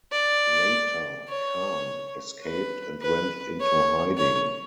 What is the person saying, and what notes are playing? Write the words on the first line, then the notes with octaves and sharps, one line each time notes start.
Later Khan escaped and went into hiding.
D5
C#5
B4
B4
C#5
C#5